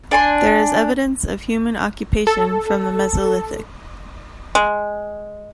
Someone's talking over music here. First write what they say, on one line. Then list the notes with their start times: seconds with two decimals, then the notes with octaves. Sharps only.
There is evidence of human occupation from the Mesolithic.
0.11 D4 G#5 C6
2.27 A4
4.55 G#3